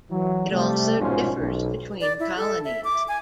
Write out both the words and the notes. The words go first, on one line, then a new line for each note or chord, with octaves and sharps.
It also differs between colonies.
E3 F#3
C3 G3 A3
A#1 G#2 B2 C#4 F4 C5
B1
D5
E4
A4
E5
D6
G#5